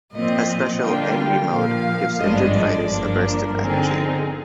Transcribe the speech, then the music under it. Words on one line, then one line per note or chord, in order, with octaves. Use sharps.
A special "Angry Mode" gives injured fighters a burst of energy.
A#2 F3 C4 D#5
D3 G3 A#3 D4 F4 G5
G5
A#2 F3 A#3 F5
G#1 G2 F3 G#3 D4 D#5
D5
G1 G2 F3 A#3 D4
A#4
D3 F3 C4 D#4 G#4